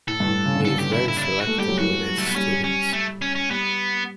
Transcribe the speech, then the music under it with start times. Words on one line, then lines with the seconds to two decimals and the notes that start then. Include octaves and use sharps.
He is very selective with his students.
0.07 A2 A4
0.20 G2
0.27 A2
0.46 C#3
0.55 D3
0.65 E3 A4
0.79 G4
0.93 E4
1.08 E4
1.17 D4
1.21 E4
1.41 F#4
1.47 A3
1.58 G3 G4
1.68 F#3
1.79 E3 F#4
2.18 A3
2.27 B3
2.36 G3 C#4
2.64 C#4
2.93 A3
3.22 C#4
3.35 C#4
3.50 G3 B3